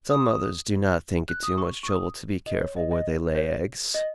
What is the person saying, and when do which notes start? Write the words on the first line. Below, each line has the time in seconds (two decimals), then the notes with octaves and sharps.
"Some mothers do not think it too much trouble to be careful where they lay eggs."
0.10 D#6
1.29 F#6
1.43 D#6
1.58 C#6
1.83 C#6
1.88 D#6
2.46 D#5
2.61 C#5
2.76 D#5
2.91 D#5
3.35 C#5
3.94 D#5